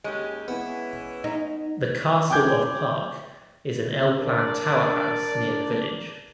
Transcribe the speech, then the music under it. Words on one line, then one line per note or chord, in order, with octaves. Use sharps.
The Castle of Park is an L-plan tower house near the village.
D#2 G#3 C#4 G4
E3 B3 C#4 E4
D#4
G5 G#5 D6 G6 G#6
D4 A#4 D5